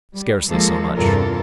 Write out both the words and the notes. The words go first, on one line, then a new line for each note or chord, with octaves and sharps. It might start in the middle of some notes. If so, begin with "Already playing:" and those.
"Scarcely so much."
G3
F3 G#3 A#3 A4
E2 G2 C3 F4 A4 A#4